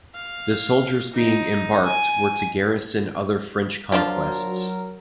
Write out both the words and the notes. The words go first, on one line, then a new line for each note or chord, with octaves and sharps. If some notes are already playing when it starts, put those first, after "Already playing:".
The soldiers being embarked were to garrison other French conquests.
F5
D#4
G#5
F3 F#3 D4 F4 A#4